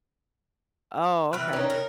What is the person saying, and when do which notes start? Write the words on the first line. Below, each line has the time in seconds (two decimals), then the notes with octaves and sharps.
Oh, okay.
1.33 E3 B4 G5 F6 F#6
1.53 C4 C#4 D#4 A#4 B4 C#5
1.70 A#4